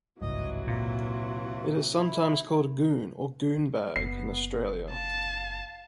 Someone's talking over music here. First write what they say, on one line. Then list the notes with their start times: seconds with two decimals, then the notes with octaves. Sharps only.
It is sometimes called goon or goon bag in Australia.
0.22 G#1 C#2 G2 C3 E3 F#3 D#5
0.67 A#2 F4
1.96 E4
3.96 F#1 B3 C7
4.92 F5 A5